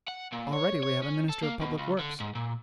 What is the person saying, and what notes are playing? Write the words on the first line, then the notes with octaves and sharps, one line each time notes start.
Already we have a minister of public works.
F#5
A#2
C#5
C#5
C#4
A4
A#3
B2
C#2
D3
G#2
A#2